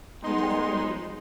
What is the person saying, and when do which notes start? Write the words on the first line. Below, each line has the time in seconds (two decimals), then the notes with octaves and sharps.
I definitely,
0.23 G#3 B3 D#4 C6